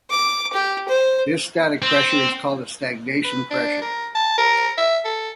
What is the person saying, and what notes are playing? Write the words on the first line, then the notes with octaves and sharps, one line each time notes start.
This static pressure is called the stagnation pressure.
D6
G4
C5
C4
B4
D4
A#4
A5
A#4
E5
A4